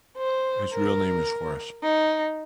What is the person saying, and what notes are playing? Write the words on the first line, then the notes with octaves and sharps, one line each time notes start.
His real name is Horace.
C5
A#4
D#4